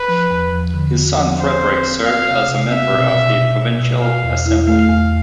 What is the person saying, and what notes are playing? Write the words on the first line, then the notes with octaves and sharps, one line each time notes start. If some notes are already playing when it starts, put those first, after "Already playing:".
His son Frederick served as a member of the provincial assembly.
Already playing: B4
F3
E2
F3
D3
E2
F3
C4 C5
C4
C4
C4 F5
C3
C3
C4 E5
B2
B2
B2
B2
B2
B2 F5
E2
E4
A3 F5
E2